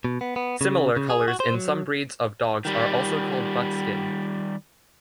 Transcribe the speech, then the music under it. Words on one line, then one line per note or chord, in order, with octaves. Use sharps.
Similar colors in some breeds of dogs are also called buckskin.
B2
B3
B3
C#3
C#3
G#4
F#4
C5
F#3
D#3 G3